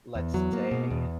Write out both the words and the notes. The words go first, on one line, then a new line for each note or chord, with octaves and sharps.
let's say,
E2
F#3
A#3
B2
E2